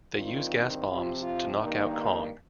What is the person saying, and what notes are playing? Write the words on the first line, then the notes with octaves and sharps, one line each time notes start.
They use gas bombs to knock out Kong.
G2 D#3 C4 F4
C3 F3 C4 F4
F4
G2 D#3 A#3 D#4